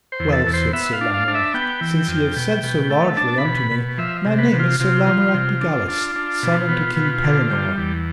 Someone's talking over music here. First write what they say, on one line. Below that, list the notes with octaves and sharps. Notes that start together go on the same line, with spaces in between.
Well, said Sir Lamorak, since ye have said so largely unto me, my name is Sir Lamorak de Galis, son unto King Pellinore.
C5
E2
A4
E2
C5
B3 E5
F5
D4
F5
D4
E5
B3 G5
E3
F2
B2
B2
A3
D4 A5
B5
B2
B5
B2
F3 E5
C3
B4
C3
F4
C3 F4
F3
C3
D4
D4
D4
B2
B3
B2
D3
G3
E2